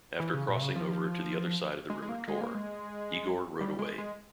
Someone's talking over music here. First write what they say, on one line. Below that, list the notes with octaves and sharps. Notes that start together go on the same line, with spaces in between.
After crossing over to the other side of the river Tor, Igor rode away.
E3
C#3
A#2
C3
C#3
F3
G#3
G#3
A#3
G#3
A#3
G#3
G3
G#3
G#3